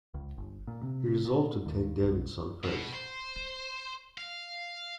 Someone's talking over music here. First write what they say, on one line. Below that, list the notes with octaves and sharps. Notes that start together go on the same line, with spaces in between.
He resolved to take Davidson first.
C#2
G1
A#2
C3
A#2
D#2
B1
B2
C5
F5